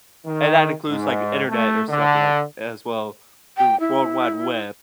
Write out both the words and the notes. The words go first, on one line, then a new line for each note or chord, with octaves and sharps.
and that includes like, Internet or something like, a as well through World Wide Web.
D#3
G#2
A3
D3
G5
E4